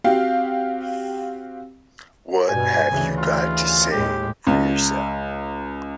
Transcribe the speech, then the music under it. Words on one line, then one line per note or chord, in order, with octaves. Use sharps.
What have you got to say for yourself?
C4 F#4 G4 F5
G2 B2 G#5
D2 C#3 E3
F4
D#2 A2 G#3 G4
C#2